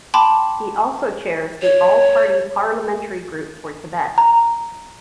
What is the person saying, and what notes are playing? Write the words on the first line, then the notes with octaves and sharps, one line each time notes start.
He also chairs the All-Party Parliamentary Group for Tibet.
G5 A5 B5 C6 D6
C#5
A#5